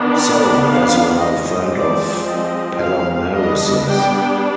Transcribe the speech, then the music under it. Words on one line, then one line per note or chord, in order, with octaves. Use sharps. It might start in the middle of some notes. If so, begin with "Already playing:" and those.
So, as you are a friend of Palomares’...
Already playing: D#3 B3 D4
D5
F5
F3 G#3 C4 D#5
D5
D#5
F5
G3 B3 D4 D#5
G5